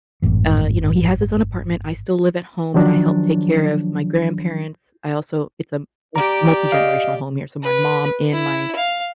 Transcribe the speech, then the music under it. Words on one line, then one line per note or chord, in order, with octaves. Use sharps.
uh, you know, he has his own apartment. I still live at home, and I help take care of my grandparents. I also it's a m multigenerational home here, so my mom and my
G#1 F#2 A2 E3
D#3 F3 F#3 D4
G4 D5 A#5
D#5 F5
B4
E4
F5